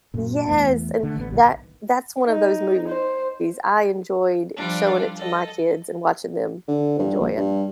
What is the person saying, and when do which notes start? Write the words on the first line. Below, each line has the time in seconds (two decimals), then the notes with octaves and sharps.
yes, and that that's one of those movies I enjoyed showing it to my kids and watching them enjoy it.
0.14 F#2 A#2
0.47 E2 E3 A3 B3
1.03 D3 A3
1.16 A1 B3
1.31 B1 D#3
2.27 D#4
2.88 C5
4.56 F3 G3 D4 F4
5.18 A4 D#5
6.68 D3
6.99 G2
7.20 A#1
7.37 G2